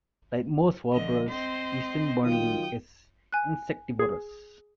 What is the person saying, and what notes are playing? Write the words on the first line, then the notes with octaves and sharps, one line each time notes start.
Like most warblers, eastern Bonelli's is insectivorous.
D3 F3 D#5
C4 C5 D#5
D#3 F#3 F4 G5 D#6
G#5 F#6
G#4